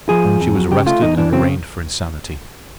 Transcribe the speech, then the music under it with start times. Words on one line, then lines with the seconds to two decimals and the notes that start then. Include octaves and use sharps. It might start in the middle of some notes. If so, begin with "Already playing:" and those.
She was arrested and arraigned for insanity.
0.09 F3 G#4
0.25 G#2
0.41 F2
0.55 F#3
0.71 C#3 G4
0.86 A3 F4
1.02 E2 D#4
1.18 E3 D4
1.32 C#3 C4